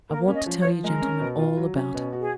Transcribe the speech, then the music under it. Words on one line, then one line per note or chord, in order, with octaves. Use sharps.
"I want to tell you gentlemen all about it."
A#3 A#4
C#4
D#5
F3
C#5
F3
G#3 A#4
C#4
B2
F4
F#3
C#4
B2
F#4
G#4